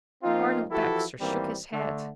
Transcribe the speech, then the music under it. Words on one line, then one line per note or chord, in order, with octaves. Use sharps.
Arnold Baxter shook his head.
F3 A#3 C4 D#4 F4
E3 F3 E4 F#4 G4 A4
G#1 E3 G3 A#3 C4
D3 A3